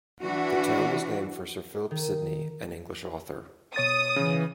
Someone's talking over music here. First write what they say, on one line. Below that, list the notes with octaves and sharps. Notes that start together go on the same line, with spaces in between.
The town was named for Sir Philip Sidney, an English author.
E3 D4 F#4
D#3
B2 C#5 D#6 A6
C#3 E3